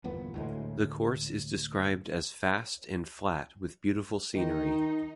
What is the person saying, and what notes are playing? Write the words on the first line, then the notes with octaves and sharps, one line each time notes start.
The course is described as fast and flat with beautiful scenery.
G1 E2 A#2 B3
D2 A2 G#3
D#3 D#4